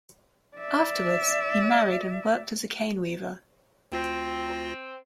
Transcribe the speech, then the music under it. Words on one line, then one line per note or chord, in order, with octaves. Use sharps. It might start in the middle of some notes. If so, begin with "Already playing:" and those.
Afterwards, he married and worked as a cane weaver.
D5 E5
D2 C4 F4 A#6